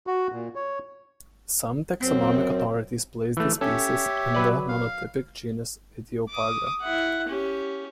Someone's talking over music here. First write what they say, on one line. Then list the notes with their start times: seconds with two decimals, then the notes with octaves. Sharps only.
Some taxonomic authorities place this species in the monotypic genus Ichthyophaga.
0.07 F#4
0.32 A#2
0.55 C#5
2.00 F#2 C4
3.37 E3 A3
3.61 C#4 G4 A4 C#5 E5
4.35 F#3 B4 D5
4.69 F5
6.30 D6 D#6
6.81 E4 F#5
7.28 C#4 G4